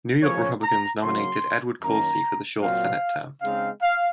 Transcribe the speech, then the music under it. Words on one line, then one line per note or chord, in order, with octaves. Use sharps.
New York Republicans nominated Edward Corsi for the short Senate term.
C#3 F3 A#3 C#4 C#5
A#5
C#3 F#3 A#3 C6
F#2 D#3 A#3 C#4 A#5
A#2 F#3 C4 F5
C#3 G#3 C4 D#4 F5
F5